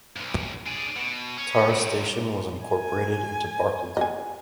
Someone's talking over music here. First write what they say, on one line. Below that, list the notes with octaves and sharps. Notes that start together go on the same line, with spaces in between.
Tara Station was incorporated into Barcaldine.
B1 F2
D4 G#4
B2
C#4
G#2 C3
G#5
D#5 G#5